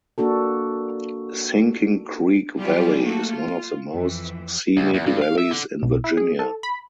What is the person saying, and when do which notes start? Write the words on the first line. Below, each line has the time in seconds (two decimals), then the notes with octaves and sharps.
Sinking Creek Valley is one of the most scenic valleys in Virginia.
0.18 A#3 D4 F#4 A4
2.58 F#3 G3 A3 F4 G4 G#4
3.01 A3 A#3 F#4 A4
3.32 F4
3.91 F2 E3
4.77 C#2
4.94 E2
5.06 G2
5.22 F5
5.38 E5
5.51 D3
5.83 B1
6.04 E4
6.17 G#4
6.39 A4
6.63 B5